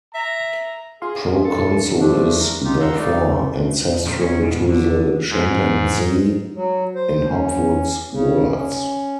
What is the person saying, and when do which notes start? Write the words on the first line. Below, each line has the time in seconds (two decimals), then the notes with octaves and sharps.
Proconsul is therefore "ancestral to the Chimpanzee" in Hopwood's words.
0.15 E5 A#5
1.02 F4 G#4 F5 C6
1.44 A4
2.00 F3 A3 D4
2.40 A#4
2.64 D#4 F4 G4
2.80 F5 F#5 A#5 C6 E6
2.97 G3 A3 D#4 D5
3.28 A3
4.05 A#2 C#3 F3 F#3 A3
4.21 C#4
4.42 G#2 B2 D#3
4.70 D3
5.29 G#2
6.55 F#3
6.95 C5
7.27 C#4
8.11 C#3
8.56 C#4